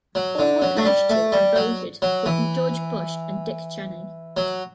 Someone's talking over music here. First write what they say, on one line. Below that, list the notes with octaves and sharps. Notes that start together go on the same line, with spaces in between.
All were pledged to and voted for George Bush and Dick Cheney.
F#3
D3
F#3
A3
G3
A3
G3
F#3
F#3
E3
F#3